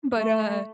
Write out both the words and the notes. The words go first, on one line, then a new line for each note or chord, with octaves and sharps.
but, uh
A3